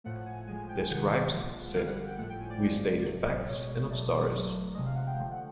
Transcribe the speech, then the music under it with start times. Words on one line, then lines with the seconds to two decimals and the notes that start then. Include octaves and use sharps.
The scribes said: We stated facts in our stories.
0.04 A2 F3 A3 F#5
0.26 G#5
0.47 A2 F3 G#3 G#5
0.69 G5
0.90 C3 D#3 G#3 F#5
1.32 A#2 F3 G#3
1.75 D3 G3 F5
1.87 F#5
1.97 F#5
2.07 G5
2.18 A2 F3 A3 F#5
2.30 G5
2.40 G#5
2.50 D5
2.61 C#3 F3 G#3
3.04 A2 F#3 A3
3.25 D#5
3.36 D5
3.47 B2 G#3 C#5
3.68 C#5
3.90 B2 F#3 A3 D5
4.32 D3 F#3 A3
4.74 C3 F3 G#3 D#5
4.86 F5
4.96 F#5
5.07 G5
5.17 D3 F3 A3 G5
5.31 F#5